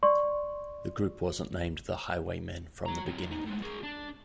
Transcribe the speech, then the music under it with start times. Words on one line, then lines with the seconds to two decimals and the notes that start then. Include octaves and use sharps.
The group wasn't named "The Highwaymen" from the beginning.
0.03 D5 C6 C#6
2.86 F#4 A#5
3.06 F#3 C4
3.30 D2 D#4
3.46 A2 G#3
3.63 F#4 G#4
3.83 D4